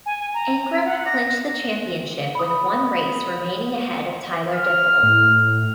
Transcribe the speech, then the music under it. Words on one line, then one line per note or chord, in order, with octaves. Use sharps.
Ankrum clinched the championship with one race remaining ahead of Tyler Dippel.
G#5
A#5
F#5
A#6
B5 D#6
F6
A2